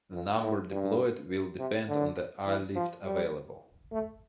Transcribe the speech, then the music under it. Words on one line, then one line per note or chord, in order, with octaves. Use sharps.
The number deployed will depend on the airlift available.
F2
A2
G2
C3
D3
E3
F3
G3
A3